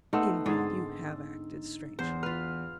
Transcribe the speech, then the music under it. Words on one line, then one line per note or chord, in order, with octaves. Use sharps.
Indeed, you have acted strangely.
A3 B3 C4 D#4 F#5 C6 E6
G#2 D3 G#4 C6 A6
E2 C5
F4 B4 F6